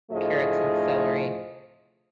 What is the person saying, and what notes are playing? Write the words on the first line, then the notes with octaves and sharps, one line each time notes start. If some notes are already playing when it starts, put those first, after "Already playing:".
carrots and celery."
D2 A2 F3 A3 G#4 D#5